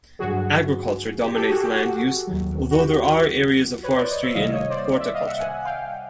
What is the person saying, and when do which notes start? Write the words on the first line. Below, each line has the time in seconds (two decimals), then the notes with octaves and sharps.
Agriculture dominates land use although there are areas of forestry and horticulture.
0.19 G2 D3 F#3 F#4 G#4
1.24 G4
1.36 G4 A4
1.49 F#4 G#4
1.63 G4
1.76 F#4
2.27 D#2 D#3 F#3
2.71 F#4
2.80 G4
3.83 B4 C#5
3.97 C5 D5
4.09 C#5 D#5
4.22 D5 E5
4.35 C2 C3 D#3 G3 A#3 D#5 F5
4.53 C#5 D#5
4.70 C5 D5
5.00 D5 E5
5.14 D#5 F5
5.27 E5 F#5
5.39 F#5 G#5
5.66 F5 G5